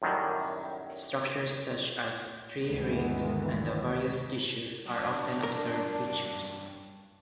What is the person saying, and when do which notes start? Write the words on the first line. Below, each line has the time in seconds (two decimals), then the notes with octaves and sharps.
Structures such as tree rings and the various tissues are often observed features.
0.02 F#2 A2 D#3 F#3 G3
2.66 G1 D2 D#3 E3 G#3 B3
4.86 G2 F#3 D4
5.43 A#4